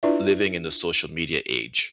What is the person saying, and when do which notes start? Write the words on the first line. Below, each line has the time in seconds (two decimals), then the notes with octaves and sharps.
living in the social media age,
0.03 D4 E4 F4 B4 D5 E5